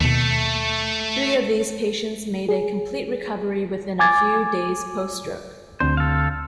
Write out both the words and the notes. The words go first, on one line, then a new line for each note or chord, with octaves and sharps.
Three of these patients made a complete recovery within a few days post-stroke.
D#2 B2 A3
G#4
G#5 D6 G#6 A6
D2 C4 D4 C5
A4 F5